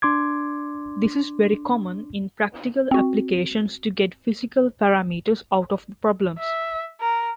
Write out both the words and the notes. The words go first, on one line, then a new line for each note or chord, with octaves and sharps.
This is very common in practical applications to get physical parameters out of problems.
D4 C6 D6 G#6
C4 F#4
E5
A#4